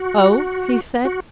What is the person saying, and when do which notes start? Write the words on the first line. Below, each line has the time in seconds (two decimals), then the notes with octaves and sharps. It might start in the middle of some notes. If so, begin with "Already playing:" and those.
"Oh!" he said.
Already playing: F#4
1.05 F#4